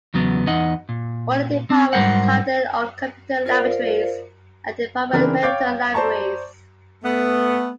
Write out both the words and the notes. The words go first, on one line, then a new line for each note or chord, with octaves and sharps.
All the departments have their own computer laboratories and departmental libraries.
E2 C#3 F#3 B3
E2 D#4 D#5 F#5
A#2
C4
G#2 F#3 G3 A#4 C5 F#5
F4 A#4 C5 D5 F5
C#3 E3 C4 D4 A#4 B4
C#5 F5 G5 D6 G6 A6
C5 D5 A5 A#5 C#6
A3 B3